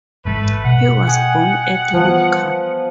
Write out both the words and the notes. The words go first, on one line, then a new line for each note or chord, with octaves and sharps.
He was born at Lucca.
A1 G#2 G#3 A3 B4
B2 F#5
D#5 G5 G#5
E3 F3 G3 B3